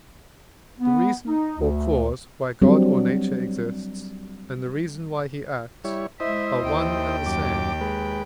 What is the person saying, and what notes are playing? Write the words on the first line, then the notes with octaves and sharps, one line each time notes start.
The reason or cause why God or Nature exists, and the reason why he acts, are one and the same.
B3
D#4
D2
F#3 G3 C4 D4
G3 E4 C#5
G#3 E4 C5 D#5 E5
D#2 G5
F#2 D6
G#3 B4